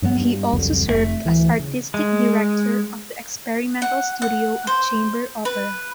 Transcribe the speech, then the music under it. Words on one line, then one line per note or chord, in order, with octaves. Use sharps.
He also served as artistic director of the Experimental Studio of Chamber Opera.
G2 F#3 G3 B3
G2
C2 F2 D3 F#3
F1 A#2 A3
D2 E3
C#3
G#3
F#5
F#5
C5
B4